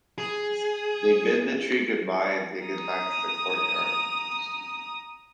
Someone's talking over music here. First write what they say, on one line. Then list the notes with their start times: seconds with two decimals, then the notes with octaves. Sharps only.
They bid the tree goodbye and take it back to the courtyard.
0.18 G#4
2.66 A#5 D#6